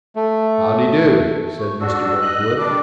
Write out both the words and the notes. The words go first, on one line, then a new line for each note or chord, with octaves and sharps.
"How dee do," said Mr. Boltwood.
A3
C#6
D4 F#4 E6
D#5 F#6
G3 D4 D6